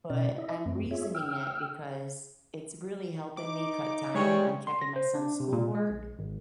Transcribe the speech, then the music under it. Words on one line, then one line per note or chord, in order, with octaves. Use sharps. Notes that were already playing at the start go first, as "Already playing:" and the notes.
but I'm reasoning it because it's really helping me cut time on checking my son's schoolwork.
B2 C#4 D5
E4 D#5 E5
F#2 A3 C4
F4 G#4 C#5 E5
G5 E6 F6
D#4 D6
E3 G3 G#3 G#4 C#5
C6
A#6
C5
D4
C3
A#2
G#3
A#1
G#1